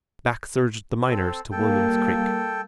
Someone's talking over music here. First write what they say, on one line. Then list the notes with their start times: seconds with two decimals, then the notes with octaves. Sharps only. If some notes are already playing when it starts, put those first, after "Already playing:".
Back surged the miners to William's Creek.
1.07 C4 A4
1.52 G3 A#3 A4 G5